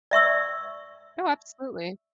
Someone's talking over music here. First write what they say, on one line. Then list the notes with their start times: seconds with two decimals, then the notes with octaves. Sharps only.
Oh, absolutely.
0.11 D5 E5 C#6 E6